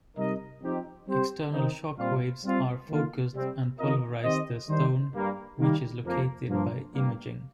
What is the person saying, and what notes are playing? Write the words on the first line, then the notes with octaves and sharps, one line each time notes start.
External shockwaves are focused and pulverize the stone which is located by imaging.
C3 G3 D#4 A#4 D#5
F3 C4 D#4 G4
G3 C4 G4 C5
D#3 C4 D#4
A#2 G3 C4 F4
G3 C4 F4
D#3 A#3 F4
C3 G3 C4
D#3 C4 F4 A#4 D#5
D#3 C4 G4 C5 D#5
D#3 G3 D#4 C5
G2 G3 A#3
D#3 G3 A#3
F2 F3 A#3
G2 F3 A#3
G2 G3 A#3